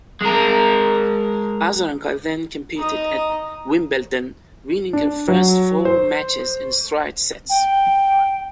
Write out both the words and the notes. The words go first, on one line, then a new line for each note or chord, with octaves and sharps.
Azarenka then competed at Wimbledon, winning her first four matches in straight sets.
G#3 A#4
D#4 D#5
D4
F#3
C5
G5